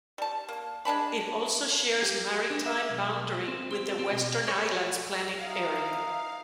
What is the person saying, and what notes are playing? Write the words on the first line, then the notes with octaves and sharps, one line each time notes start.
It also shares maritime boundary with the Western Islands planning area.
G3 A5
A#3
G#3 D4 A5 B5
G4
D4
E5
B1
C4
C4
C4
B2
C#5
D#4 E5 F5